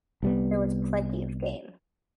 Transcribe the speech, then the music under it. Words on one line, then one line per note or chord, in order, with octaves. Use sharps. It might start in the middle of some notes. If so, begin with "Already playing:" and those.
There was plenty of game.
C2 G3 B3